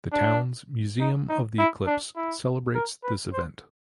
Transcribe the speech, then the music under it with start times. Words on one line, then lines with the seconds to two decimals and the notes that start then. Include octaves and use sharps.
The town's "Museum of the Eclipse" celebrates this event.
0.12 D4
1.00 D#4
1.29 D#4
1.58 E4
1.86 D4
2.16 E4
2.75 A#4
3.03 B4
3.33 C5